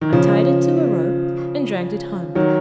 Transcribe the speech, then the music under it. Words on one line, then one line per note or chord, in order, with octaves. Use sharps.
'I tied it to a rope, and dragged it home.
D#3
C#3 F3
D#3 F#3